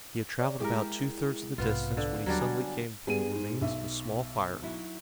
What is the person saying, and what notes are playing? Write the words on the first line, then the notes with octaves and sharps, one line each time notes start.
He had traveled about two-thirds of the distance when he suddenly came upon the remains of a small fire.
C#5 D5
G#3 E4 G4 G#4 A#4
B1 G#2 C3 B3 F4
D3
D#2 F#3 G3 D4
G#5
G3 B3 G#4 D#7
G#2
B1 E5
F#3 E4